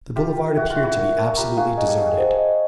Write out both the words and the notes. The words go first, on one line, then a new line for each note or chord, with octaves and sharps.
The boulevard appeared to be absolutely deserted.
F4 G4 E5
G5
F#4 E5
F4
E5
E4 F#4
A#4
A#4
F4 G4 A#5
F#4 G#4 F5
G#4 A#4 D#5
G4 A4
F#4 G#4 D#5
F#4 G#4
C5
D#5